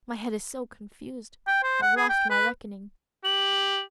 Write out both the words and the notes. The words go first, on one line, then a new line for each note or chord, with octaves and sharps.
My head is so confused, I've lost my reckoning.'
G5
C5
F#5
G#4
G5
B4
G4 F#7